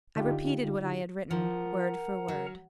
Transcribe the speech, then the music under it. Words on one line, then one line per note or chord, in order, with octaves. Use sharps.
I repeated what I had written, word for word.
D3 D#4 F4 G4
F3 A#4 F#5 A#5
F#3